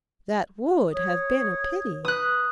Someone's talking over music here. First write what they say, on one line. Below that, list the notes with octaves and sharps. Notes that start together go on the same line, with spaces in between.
That would have been a pity.
C#5 D#6
B4 D#6 F#6